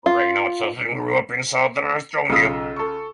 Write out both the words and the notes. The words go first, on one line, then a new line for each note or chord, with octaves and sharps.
Rein Otsason grew up in southern Estonia.
F4
B1 C#3 F4 D#6 E6
A4 C#6